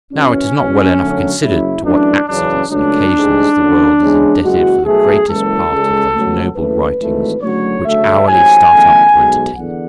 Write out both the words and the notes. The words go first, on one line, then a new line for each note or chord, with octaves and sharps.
Now it is not well enough considered to what accidents and occasions the world is indebted for the greatest part of those noble writings which hourly start up to entertain it.
F#1 F#2 E3 C#4
F#1 E2 B2
F#2 D3 F#3 A3
F#1 F#2 C#3 E4
F#2 E3 A3 D4
F#2 C#3 E3 D4
C#2 C#3 F#3 A3 D4
A1 G#2 G#3
F#1 F#2 D3
E2 C#3 G#3
F#1 F#2 E3 G#3 F#4
B1 B2 A3 G#4
F#1 F#2 E3 G#3 A4
C#2 C#3 G#3
C#2 B2 F#3 A3
F#1 F#2 E3 A3 B4
G#1 G#2 E3 A3
F#1 F#2 D3 F#3 A3 C#5
D2 C#3 F#3 A3 E5
A1 G#2 F#3 G#5
F#1 E2 D3 A3
B1 B2 G#3
E2 D3 F#5